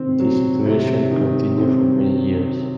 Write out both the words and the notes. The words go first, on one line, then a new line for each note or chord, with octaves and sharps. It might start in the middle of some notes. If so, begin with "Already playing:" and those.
This situation continued for many years.
Already playing: C3 D#3 C4
F#3
C3
D#3
C4